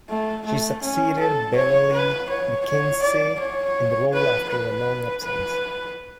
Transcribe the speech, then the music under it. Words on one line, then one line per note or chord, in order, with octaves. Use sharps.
She succeeded Beverlee McKinsey in the role after a long absence.
A3
A3
C#4
A4
C#5
B4
C#5
C#5
D5
C#5
B4
B4
B4